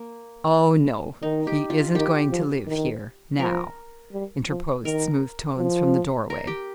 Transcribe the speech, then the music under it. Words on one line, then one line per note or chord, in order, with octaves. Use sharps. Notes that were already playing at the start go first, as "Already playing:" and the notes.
"Oh, no, he isn't going to live here--now," interposed smooth tones from the doorway.
Already playing: A#3
D#3 D#4
G4
F4
D#3 G4
F3
D#3
F3 A#4
G3
F3
D#3 A#4
F3
A#4
G4